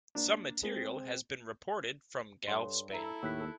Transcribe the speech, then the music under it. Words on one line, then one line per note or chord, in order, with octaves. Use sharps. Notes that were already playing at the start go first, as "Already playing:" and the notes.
Some material has been reported from Galve, Spain.
A#3 D4
G#3 C4
G2 A4 C#5 C6
E4 A4 E5 A#5
D#2 A2 A3 E6 F#6 B6